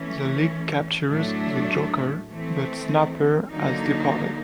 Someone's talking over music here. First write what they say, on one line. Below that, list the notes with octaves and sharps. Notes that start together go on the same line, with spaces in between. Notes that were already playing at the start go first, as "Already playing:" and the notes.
The League captures the Joker, but Snapper has departed.
Already playing: E3 A3 C#4
A2 F#3 A3 D4
E3 A3 C4
D3 F#3 A#3 D#4